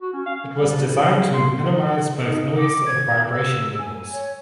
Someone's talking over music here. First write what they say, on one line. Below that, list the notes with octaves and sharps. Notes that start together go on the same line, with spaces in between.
It was designed to minimise both noise and vibration levels.
F#4
C#4
F5
C#4
G3
D4
E4
F5
G#4
C6
D#4
D6
G#6
E6
G#5
C#5